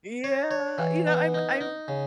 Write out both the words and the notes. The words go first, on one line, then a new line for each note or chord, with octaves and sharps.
Yeah, you know, I'm I'm
C#5
C#5
E3
B3
D#4
D#4
C#3